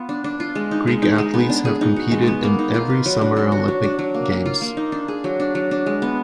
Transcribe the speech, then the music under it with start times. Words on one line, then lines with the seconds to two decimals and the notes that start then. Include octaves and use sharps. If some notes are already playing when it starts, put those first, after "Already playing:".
Greek athletes have competed in every Summer Olympic Games.
Already playing: B3 F4
0.09 D4
0.24 D4
0.40 F4
0.55 G#3
0.71 D#4
0.87 G#3
1.02 D#4
1.18 G#3
1.34 B3
1.50 D4
1.65 G#4
1.81 D#4
1.96 F#4
2.12 G#3
2.28 B3
2.43 A#3
2.59 D#4
2.74 F4
2.90 B4
3.06 F#3
3.21 D4
3.37 D4
3.52 F#4
3.68 F#3
3.83 D4
3.99 F#3
4.14 A#3
4.31 A#3
4.46 F4
4.61 A#3
4.77 D#4
4.92 D4
5.08 G#4
5.24 F#3
5.40 D4
5.55 F#3
5.71 D4
5.86 G#3
6.02 B3